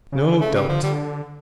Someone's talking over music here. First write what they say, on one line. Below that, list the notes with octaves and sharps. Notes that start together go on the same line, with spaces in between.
No doubt.
C#3
D3
C#3 A3
G3
D3 F3
D3 G3